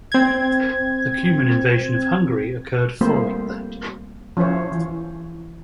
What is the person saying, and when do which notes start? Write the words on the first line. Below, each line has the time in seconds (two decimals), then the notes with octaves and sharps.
The Cuman invasion of Hungary occurred following that.
0.12 C4 G#6
3.01 G3 A3 A#3 C4 F4 C5
4.37 F3 C#4 E4 C5 C#5
4.72 E3